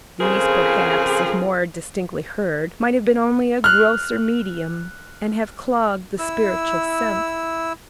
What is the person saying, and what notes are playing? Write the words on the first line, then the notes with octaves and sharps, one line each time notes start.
These, perhaps, if more distinctly heard, might have been only a grosser medium, and have clogged the spiritual sense.
F2 C#3 F4 G#4 A#4 C5
F6 F#6
E4 E6